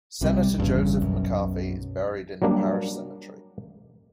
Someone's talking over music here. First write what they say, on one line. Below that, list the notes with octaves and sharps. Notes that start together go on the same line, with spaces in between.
Senator Joseph McCarthy is buried in the parish cemetery.
B1 C3 D#3 G3
G1 E2 G2 C#3
B1 F#2
F#3 G3 A#3 D4